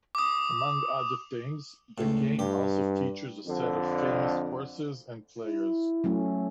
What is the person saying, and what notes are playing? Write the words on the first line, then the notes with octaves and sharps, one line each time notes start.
Among other things, the game also features a set of famous courses and players.
D6 D#6
C#2 A2
G2 G4
F2 D3
E4
F#3 A3 C#4